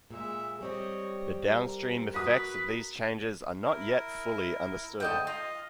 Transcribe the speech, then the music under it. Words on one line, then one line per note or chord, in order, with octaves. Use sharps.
The downstream effects of these changes are not yet fully understood.
A#2 G#3 E5
G3 C4 C#5 D#5
A#4
F#4 B4 D#6
E4 A#4
G#2 D3 A3 A4 D#5 G5
F4 D#5